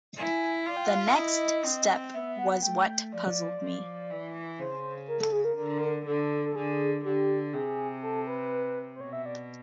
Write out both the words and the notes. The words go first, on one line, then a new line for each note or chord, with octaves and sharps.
The next step was what puzzled me.
E4 G#5
F4 D5
G5
F#5
F5
E5
E4 D#5
C4
B3 E5
F#5
A3 G5
F3 D5
F3
E3
C#3 C5
A#4
A4
G#4
A#4
D3 A#4
D3 A4
A4
D3 G#4
D3 G4
C3 G#4
A4
B4
C5
B2 C#5
E5
D5